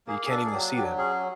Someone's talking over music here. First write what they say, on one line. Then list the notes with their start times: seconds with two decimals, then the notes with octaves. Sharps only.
that you can't even see them.
0.07 A#3 G#4
0.25 G#4
0.30 D4 A4
0.45 G#4
0.53 F#3 G4
0.76 F#3 G4
0.98 C#4 G#4